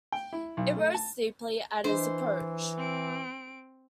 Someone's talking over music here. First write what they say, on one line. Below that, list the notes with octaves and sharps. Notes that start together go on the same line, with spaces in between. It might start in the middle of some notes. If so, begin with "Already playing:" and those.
It rose steeply at his approach.
G5
E4
B1
A3
A5
E3 D4 C5 D#5
C4 D7